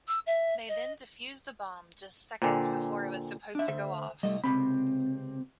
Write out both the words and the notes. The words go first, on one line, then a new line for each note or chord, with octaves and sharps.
They then defuse the bomb just seconds before it was supposed to go off.
E6
E5
D#5
A#2 D3 C5 G5 G#5
D4 E5
D2 C5 E5
C2 G3 A3 D#5
C#2 C3 C4 B5